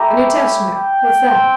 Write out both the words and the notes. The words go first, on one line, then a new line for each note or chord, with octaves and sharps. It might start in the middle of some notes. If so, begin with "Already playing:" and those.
"A New Testament; what's that?"
Already playing: A3 E4 G4 A#5
G5
C4